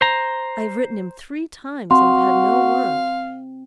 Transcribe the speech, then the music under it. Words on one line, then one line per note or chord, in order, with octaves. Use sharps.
I have written him three times and have had no word.
C5 A#5
C4 F#4 F5 C6